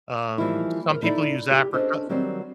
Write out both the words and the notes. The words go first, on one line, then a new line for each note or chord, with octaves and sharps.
Um, some people use apricot
E3 F3 G3 A#3 D#4 E4
A#4 C5
D#4 E4 A4 C5 D5
G4
C#4 D4 A4 C5 D#5
D#3 F#3 G3 C4 D5